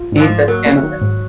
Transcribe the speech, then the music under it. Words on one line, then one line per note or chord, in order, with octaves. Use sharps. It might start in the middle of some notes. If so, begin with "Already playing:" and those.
Eat the skin with
Already playing: F4
G#2 F#3
F3
G#2
F#3 A#3
A#3
D#3
G#2